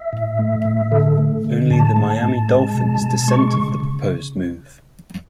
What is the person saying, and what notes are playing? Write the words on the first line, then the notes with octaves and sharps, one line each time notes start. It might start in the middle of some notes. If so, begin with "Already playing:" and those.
Only the Miami Dolphins dissented the proposed move.
Already playing: E5
A2
A3
A2
D3 A4
A3
D3
A2 A5
A3
A2
G#3
B2
B2
G#3 C#6
C#6
C#3
C#3